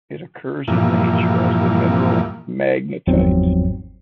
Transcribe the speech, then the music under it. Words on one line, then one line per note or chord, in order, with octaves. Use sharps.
It occurs in nature as the mineral magnetite.
G2 A#2 E3 F3
G1 E2 G#2 F3 F#3 C4